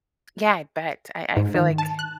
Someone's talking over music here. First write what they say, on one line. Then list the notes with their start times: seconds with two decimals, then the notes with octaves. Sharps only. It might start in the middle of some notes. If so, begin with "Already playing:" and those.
Yeah, I bet, I I feel like
1.37 G#2
1.54 D#3
1.78 A5
1.99 F#6